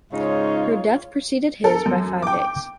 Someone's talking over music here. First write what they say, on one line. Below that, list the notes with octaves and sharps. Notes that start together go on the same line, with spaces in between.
Her death preceded his by five days.
G#2 C#3 D#4 F4 C#5
A4 A#4
F#2
G5 D6